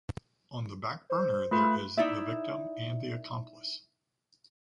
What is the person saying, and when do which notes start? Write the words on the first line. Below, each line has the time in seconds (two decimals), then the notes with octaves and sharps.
On the back burner, there is the victim and the accomplice.
1.10 C5
1.51 A3 F4 B4 B5
1.97 D#4 E4 D5 E5